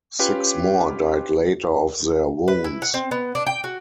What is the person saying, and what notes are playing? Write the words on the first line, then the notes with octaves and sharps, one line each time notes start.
Six more died later of their wounds.
C#4 F4 G4 B4 C#5
B4
E4
F#5
C4
B3
D4
G5
F#4